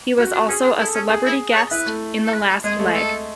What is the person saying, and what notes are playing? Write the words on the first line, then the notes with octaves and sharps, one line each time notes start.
He was also a celebrity guest in The Last Leg.
C#4 F#4
D4
C#4 G#4
D4
E4 A4
C#4
G#4
E4
B4
C#5
E4 B4
A3
A4
B4
A4
G#3 G#4
A3
A4